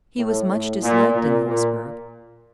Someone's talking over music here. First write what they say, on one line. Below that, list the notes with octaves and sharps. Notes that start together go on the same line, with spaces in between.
He was much disliked in Louisbourg.
A2
A2
A#2
A#2
A#2